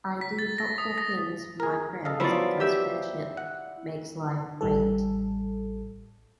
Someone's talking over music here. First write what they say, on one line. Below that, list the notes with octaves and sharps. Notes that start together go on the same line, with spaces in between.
I do helpful things for my friends because friendship makes life great.
B6
A6
A#6
D#6
A#6
G#4 A#4
A4 D#5 F5
F3 F#3 B3 E4 F4 D5
G4 E5
F#5
A1 G3 A4